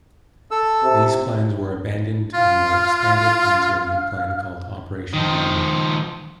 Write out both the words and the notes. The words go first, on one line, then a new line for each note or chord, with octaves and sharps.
These plans were abandoned and were expanded into a new plan called Operation Reindeer.
A4 E6
C3
F4 F5 F6
D#3 F3